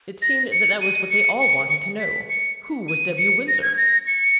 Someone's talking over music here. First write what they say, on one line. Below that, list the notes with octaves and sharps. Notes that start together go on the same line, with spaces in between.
It seemed that that was what they all wanted to know: Who was W. Windsor?
A#6
C#7
D#7
C#7
C#7
C#7
B6
C#7
D#7
C#7
A#6
G#6
A#6
C#7